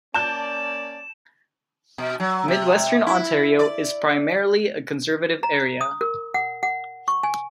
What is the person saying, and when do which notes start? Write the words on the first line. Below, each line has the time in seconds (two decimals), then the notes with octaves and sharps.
Midwestern Ontario is primarily a conservative area.
0.14 A#3 C#4 D5 A5 G6 E7
1.98 B2
2.20 F#3
2.48 C3
3.07 E4
3.59 D5
5.43 A#5
5.81 D#6
6.01 A#4
6.34 F#5
6.63 F#5
7.08 C#6
7.23 G#5